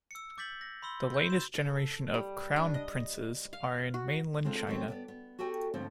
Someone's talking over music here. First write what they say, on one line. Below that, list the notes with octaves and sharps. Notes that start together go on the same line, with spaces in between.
The latest generation of "crown princes" are in mainland China.
E6 C#7
D6 G6 A6 B6 F#7
A#6
B5 C6 E6 G7
G6
C6 E7
A4
G3
D4
D#5
F5
F#4
G#3 C4 D4 F4 A4
D#3 F#3 G3 B3 C4
B3 B4 D5
B3
F#4 G4 A4 G5 G#5
D2 G#2 D3 F3 C4 C5